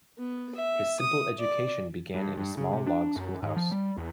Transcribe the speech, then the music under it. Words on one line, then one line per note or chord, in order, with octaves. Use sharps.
His simple education began in a small log schoolhouse.
B3
E5
D#6
D5
G2
G2
C#3
C3
D4
F#2
G#2
F3
G3
E2